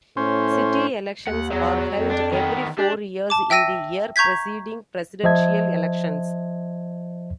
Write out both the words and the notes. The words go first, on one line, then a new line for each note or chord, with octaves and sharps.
City elections are held every four years in the year preceding presidential elections.
A2 C#4 C5
D#2 F#5
E2 F#3
F2
D4
D#3 B3
D4 G4
A5 D6
E5 G5 E6 A#6 D#7
A#5 C#6 G6 G#6 B6
F3 C5 D#5 E5 A5 G#6